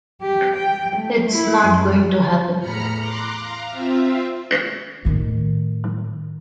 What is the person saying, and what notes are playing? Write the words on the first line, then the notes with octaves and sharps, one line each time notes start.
It's not going to happen.
G4
G5
A3
E4
F#2
E2 A2 A#5 B5 F6 C#7
A#5 C6 D6 F#6
F5 A#5
C4 F4 E5
A2 D#3